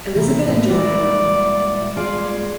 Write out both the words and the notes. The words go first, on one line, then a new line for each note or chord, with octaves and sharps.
Elisabet and Joana.
C3 E3 E4 A#4
A2
A#2 G3 G#3 E4 F#4 D5
F4 G#4 D5